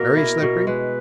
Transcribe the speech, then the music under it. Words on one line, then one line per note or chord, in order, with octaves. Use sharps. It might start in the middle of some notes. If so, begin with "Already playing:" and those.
"Very slippery?"
Already playing: B2 A#3 A#4
E4
B2
G#3 B4